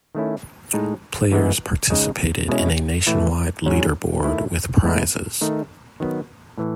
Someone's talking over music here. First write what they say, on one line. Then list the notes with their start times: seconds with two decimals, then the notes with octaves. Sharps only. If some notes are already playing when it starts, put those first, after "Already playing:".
Players participated in a nationwide leaderboard, with prizes.
0.15 D#3 A3 C#4 E4
0.74 A2 G#3 D#4
1.32 G#2 E3 G#3 B3
1.90 C#3 G#3 D#4
2.48 B2 G#3 C#4 E4
3.07 A2 E3 A3 E4
3.66 G#2 F#3 C#4
4.24 D#3 A3 E4
4.82 A2 G#3 B3 E4
5.41 D#3 A3 D#4
6.00 D#3 F#3 B3
6.58 A2 E3